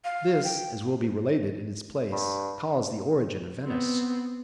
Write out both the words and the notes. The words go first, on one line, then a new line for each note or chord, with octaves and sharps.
This, as will be related in its place, caused the origin of Venice.
F5
G5
G2
B3 C4